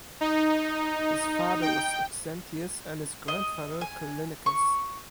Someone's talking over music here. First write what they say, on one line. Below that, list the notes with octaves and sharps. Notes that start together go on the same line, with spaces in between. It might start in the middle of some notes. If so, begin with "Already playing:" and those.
His father was Auxentius and his grandfather Callinicus.
D#4
G5
D#5
G#5
C#6